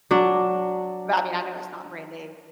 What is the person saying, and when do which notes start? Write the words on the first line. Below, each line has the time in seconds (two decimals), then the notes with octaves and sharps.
but I mean, I know it's not brand-new.
0.11 F#3 D4